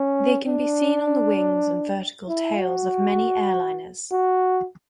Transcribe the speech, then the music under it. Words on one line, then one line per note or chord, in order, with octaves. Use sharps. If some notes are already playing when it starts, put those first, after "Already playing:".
They can be seen on the wings and vertical tails of many airliners.
Already playing: C#4
D4
E4
F#4
F#4